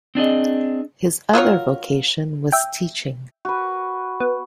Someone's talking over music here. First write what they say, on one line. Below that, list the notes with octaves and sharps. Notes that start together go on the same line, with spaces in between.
His other vocation was teaching.
C4 D4 G#4 D#5
F#3 F4 A#4 C#5
E5 G5
F#4 B4
B3